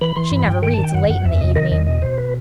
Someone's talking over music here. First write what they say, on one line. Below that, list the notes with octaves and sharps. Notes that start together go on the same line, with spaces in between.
She never reads late in the evening.
E3 B5
E3 C6
G2 B5
G2 G5
D#3 G5
D#3 A5
G5
F#2 F#5
F#2 F#5
E2 E5
C3 D#5
D#3 D#5
E2 D#5
B2 D#5
B2 C5
B4